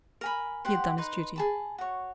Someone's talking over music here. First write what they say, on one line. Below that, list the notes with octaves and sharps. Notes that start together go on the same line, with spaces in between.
He had done his duty.
A#4 G#5 B5
G4 C5 F#5 C6
D#4 B4 C6
G#4 A5 B5
F#4 C#5